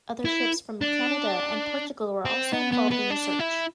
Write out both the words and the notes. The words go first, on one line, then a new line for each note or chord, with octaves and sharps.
Other ships from Canada and Portugal were also involved in the search.
E4
D4
C4
B3
B3
B3
D4
E4